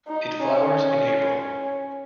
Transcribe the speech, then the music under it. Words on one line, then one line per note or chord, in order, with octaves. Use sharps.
It flowers in April.
D#4
C#4